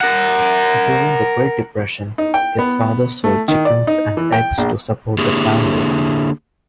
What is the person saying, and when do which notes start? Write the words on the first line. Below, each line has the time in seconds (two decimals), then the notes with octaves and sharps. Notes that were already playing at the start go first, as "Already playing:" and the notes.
During the Great Depression, his father sold chickens and eggs to support the family.
0.01 A#4 F#5
2.18 D#4
2.34 G5
2.59 B3
3.24 A3
3.48 D#3
3.65 D5
3.87 D#4
4.17 E3
4.32 G5
4.58 A#1
5.18 D3 A#3 E4 G4 G#4